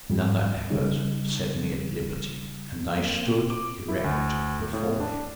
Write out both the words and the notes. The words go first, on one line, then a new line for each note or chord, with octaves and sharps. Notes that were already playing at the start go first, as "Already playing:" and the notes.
Another effort set me at liberty, and I stood erect before him.
F2 G#2 G3
C#3 G3 D#4
A#3
C4
D6
E4
D2
A2
D4